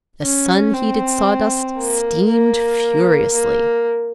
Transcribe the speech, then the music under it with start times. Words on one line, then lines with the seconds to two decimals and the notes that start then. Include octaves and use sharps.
The sun-heated sawdust steamed furiously.
0.22 C#4
0.74 C4
1.77 A#3
2.29 A#3
3.33 A#3